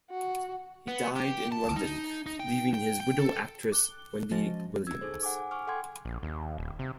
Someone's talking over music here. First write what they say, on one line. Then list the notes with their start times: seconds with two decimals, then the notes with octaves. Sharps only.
He died in London leaving his widow actress Wendy Williams.
0.11 F#4
0.88 B3
1.16 G4
1.52 A5
1.76 D#4
2.26 D#4
2.40 G5
2.74 G5
3.00 G5
3.19 A4
3.72 D6 F#6 G7
4.31 F3 G#3 C#4 F#4 D#5 A6
4.87 E6 G#6
5.01 D#4 G#4 A4 C5
5.23 F#5 G#5 D6
5.51 G#5 C#6 D6 F6
5.67 A4 F#5 G5 C6 G#6
6.05 A#1
6.23 D#2
6.58 D#1
6.79 C3